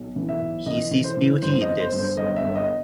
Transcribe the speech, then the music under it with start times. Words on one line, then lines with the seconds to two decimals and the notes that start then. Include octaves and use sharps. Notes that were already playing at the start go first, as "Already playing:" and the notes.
He sees beauty in this.
Already playing: B1
0.16 E3
0.29 E5
0.41 B1
0.66 E3 D#5
0.91 E3
1.04 C5
1.17 E3
1.42 G2 C5
1.61 D#5
1.67 G1
1.80 C5
1.92 G2
1.98 C5
2.17 G1 D#5
2.36 E5
2.42 G1
2.55 D#5